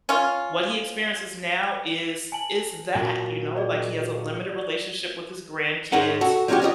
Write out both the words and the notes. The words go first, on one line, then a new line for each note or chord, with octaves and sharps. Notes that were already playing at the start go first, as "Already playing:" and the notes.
what he experiences now is is that, you know, like he has a limited relationship with his grandkids.
C#4 F4
G#5 A5 F#7
A#2 F#3 A#3
G#4 D5 D#5
D5
G#2 G#3 C#4 A#4 F#5
F#4 A4
F3 G#3 A#3 C#4 F#4 G4
F4 G4 A#4 D#5